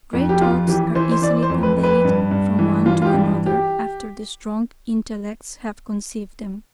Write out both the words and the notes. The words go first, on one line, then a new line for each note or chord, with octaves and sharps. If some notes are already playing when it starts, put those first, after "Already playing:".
Great thoughts are easily conveyed from one to another after the strong intellects have conceived them.
F2
G4
F2 F4
E3 G4
E3 C5
C5
E3 D5
C5
F2
B4
F2
B4
G2
G2
E3
E3 F4
F4
G4
G2
G4